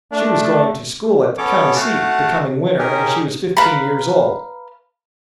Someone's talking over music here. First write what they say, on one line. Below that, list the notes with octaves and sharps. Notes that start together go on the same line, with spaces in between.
She was going to school at the county seat the coming winter and she was fifteen years old.
A3 D4
B3 C#4 A4 C#5 D6
A3 F#4 F5 F#5 A5
C#4 D#4 G4 G#4 A#4
B4 F5 A#5 B5